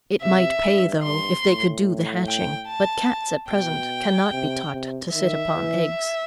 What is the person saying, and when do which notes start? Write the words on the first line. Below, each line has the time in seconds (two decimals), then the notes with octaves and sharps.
It might pay, though, if they could do the hatching; but cats at present cannot be taught to sit upon eggs.
0.21 C3 E5
0.63 G2
1.03 G2 C6
1.45 A2
2.27 G5
2.68 A5
3.49 B2 G5
4.32 C3
4.73 C3
5.14 D#3 E5
5.55 E3